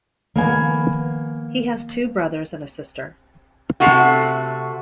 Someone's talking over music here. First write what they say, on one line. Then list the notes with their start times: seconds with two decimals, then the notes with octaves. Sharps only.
He has two brothers and a sister.
0.36 D#3 F3 A#3 B3 G#5
3.80 C3 A3 F#4